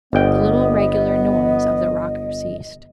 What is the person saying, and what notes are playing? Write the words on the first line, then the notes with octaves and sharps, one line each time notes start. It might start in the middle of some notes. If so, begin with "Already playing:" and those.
The little regular noise of the rocker ceased.
G1 B3 D#5 G5